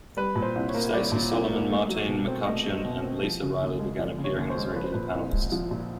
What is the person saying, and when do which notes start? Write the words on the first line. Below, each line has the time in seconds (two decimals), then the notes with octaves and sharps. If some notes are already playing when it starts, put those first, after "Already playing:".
Stacey Solomon, Martine McCutcheon and Lisa Riley began appearing as regular panellists.
0.17 G3 B4
0.36 A#2
0.42 C5
0.56 C2
0.69 C#5
0.74 A#3
0.93 G3 D5
1.12 A#2
1.31 C2
1.51 A#3
1.70 A3
1.89 F#3
2.08 B2
2.27 C4
2.46 A3 D#5
2.66 F#3
2.85 B2
3.03 C4
3.23 F3
3.42 C#3
3.61 D#2
3.79 G#3
3.99 F3 D5
4.18 C#3
4.24 C#5
4.37 D#2
4.50 C5
4.57 G#3
4.76 F3 B4
4.84 C5
4.92 A#2 B4
5.14 C2
5.33 G#3
5.52 F3
5.71 A#2